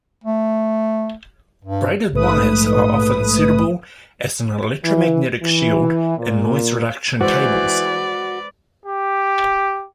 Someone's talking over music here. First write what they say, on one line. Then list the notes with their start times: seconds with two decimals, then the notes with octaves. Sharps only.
Braided wires are often suitable as an electromagnetic shield in noise-reduction cables.
0.24 A3
1.65 G2
2.12 A#1 G#2 A3 B4 D#6
4.83 E3
5.42 E3
6.17 A#2
7.21 E3 G#3 F#4 B4 C5 D5
8.85 G4